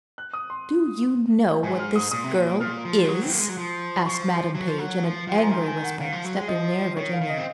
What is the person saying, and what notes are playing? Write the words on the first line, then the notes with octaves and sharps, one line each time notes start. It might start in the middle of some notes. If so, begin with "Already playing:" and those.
"Do you know what this girl is?" asked Madam Page, in an angry whisper, stepping near Virginia.
F#6
D#6
C6
G#2 G#5
F6
D#6
A#2 D#6
C3
A#2
A#2 F6
F3
G#3
F#3 D#6
C4
A#3
G#3
F#3
F3
F3 C#6
F#3
F3
F#3
F3
F3 F#5
G#5
A#5
D#3 C6
G#5
F#5
D#3 F5
F3
F#3
G#3
F3 D#5
D#3 C#5
F5
D#3
D#5
C4